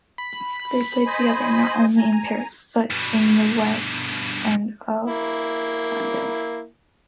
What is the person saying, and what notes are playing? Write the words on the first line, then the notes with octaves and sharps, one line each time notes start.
They played together not only in Paris, but in the West End of London.
B5
C5 D#5 G#5
G#5 A#5
G2 B2
A#3 E4